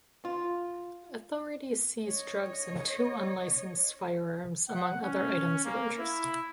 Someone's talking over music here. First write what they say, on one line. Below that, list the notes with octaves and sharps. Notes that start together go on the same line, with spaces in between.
Authorities seized drugs and two unlicensed firearms among other items of interest.
F4
C#5 D#5
F#5
C#4
A#3
E4